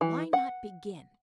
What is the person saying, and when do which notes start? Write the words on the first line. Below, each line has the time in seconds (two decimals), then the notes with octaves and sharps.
Why not begin?
0.01 E3
0.33 F#5